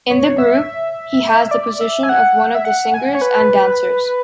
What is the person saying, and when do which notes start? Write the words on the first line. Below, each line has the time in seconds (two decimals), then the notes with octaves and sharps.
In the group, he has the position of one of the singers and dancers.
0.10 C#5
0.38 E5
1.48 E5
1.51 D5
1.81 E5
2.03 G#5
2.09 F#5
2.55 E5
2.65 F#5
2.94 G#5
3.15 C#5
3.22 B4